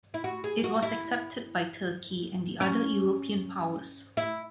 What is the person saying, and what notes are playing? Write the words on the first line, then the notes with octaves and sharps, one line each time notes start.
It was accepted by Turkey and the other European powers.
E4
F#4
G#4
F#4
E4
C#4
E4